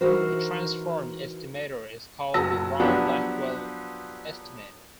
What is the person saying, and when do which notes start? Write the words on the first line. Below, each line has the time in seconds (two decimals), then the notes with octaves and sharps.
The transformed estimator is called the Rao-Blackwell estimator.
0.01 E3 D#4 F#4 A#4 C5
2.34 F#1 F#3 A5 E6 A#6
2.80 F3 F#3 B3 D4 F#4 G4